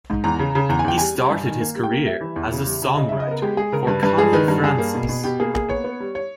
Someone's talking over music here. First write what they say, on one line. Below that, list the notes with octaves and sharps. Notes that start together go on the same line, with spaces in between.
He started his career as a songwriter for Connie Francis.
G#2
E2 A#5
C#3
C#3
E2 A#5
G#5
E2 G5
G3 G#5
G3
G2
D#3
A#3
G3
G5
A#3
G3 E5
E3
E2
C#3
G3
C#3
C#3 D#5
C#3 E5
D#5
B3 A#4
G#3 G4
G#3 G#4
C#3 A#4
G2 B4
G2 B4
G#3 G#4
D#3 B4
G2
G2 G#4
A#3
B2
B2
B2 G4
A#3 G#4
A#3 G#4
B3 C#5
B3
G3
C#5